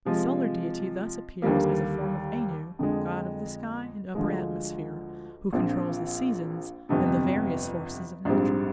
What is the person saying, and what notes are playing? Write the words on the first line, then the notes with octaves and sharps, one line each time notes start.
The solar deity thus appears as a form of Anu, god of the sky and upper atmosphere, who controls the seasons and the various forces of nature.
C3 F3 G#3
D#2 D3 G3 A#3
F2 D3 G#3
D2 D3 F3 G#3
A#1 A#2 F3 C4
G1 F2 C3
A#1 G#2 G3 C4